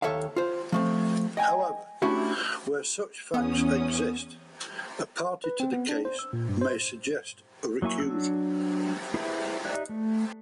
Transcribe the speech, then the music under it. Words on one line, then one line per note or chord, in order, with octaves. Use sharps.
However, where such facts exist, a party to the case may suggest recusal.
D#2 A4 C#5 E5 F5
F4 C5
F3 A3 C4
D#5 G5 G#5
A3 C#4 D4 E4 F#4 G4
E2 B3 C#4 D#6
B4
C4
B3
D4
C5
E6
A#2
G2
C5
F#3 A#3 E4 G#5 C#6
F#3 D4 E6
E4 G#4 B4 C5 E5
D#4 G4 D5 E5 F#6
A3